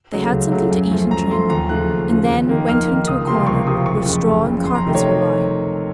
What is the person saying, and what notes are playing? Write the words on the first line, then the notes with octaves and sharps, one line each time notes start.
They had something to eat and drink; and then went into a corner, where straw and carpets were lying.
C#3 F#3 A3
C#2
C#3 F#3 A3
F#2
F3 A3
F#2 A#5
F3 A3 C6
D#2 A#5
C#3 F3 A3 F#6
D#2
C#3 F3 A3
F2
D#3 A#3
F2 F6
D#3 A#3
C#2 D#6
C3 F3 A#3 C6
C#2 C#6
C3 F3 A#3 D#6
F#1 C#6
F2 C#3
F#1
F2 C#3
F2 C6
A#5
C3 D#3 A3
C#5